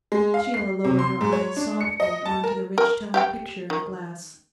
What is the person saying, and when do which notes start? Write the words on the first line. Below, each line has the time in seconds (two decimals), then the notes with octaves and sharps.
Sheila lowered her eyes softly on to the rich-toned picture in the glass.
0.12 G#3
0.34 F5
0.54 C7
0.85 C3
0.99 C6
1.21 G#2
1.33 C#5
1.57 D4
1.81 C#7
2.00 D#5
2.25 A5
2.44 A#4
2.78 A#4
3.14 G4 F5 G5
3.70 D#3